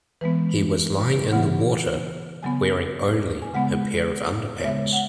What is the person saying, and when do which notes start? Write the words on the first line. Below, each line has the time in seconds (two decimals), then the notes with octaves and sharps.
He was lying in water, wearing only a pair of underpants.
0.21 E3 G#3 B3 B4
1.32 C#3 E3 B3 F#5
2.43 C#3 F#3 B3 G#5
3.42 G#5
3.53 C#3 G#3 B3 F#5
4.61 C#5
4.64 C#3 G#3 B3 E5
4.93 F#5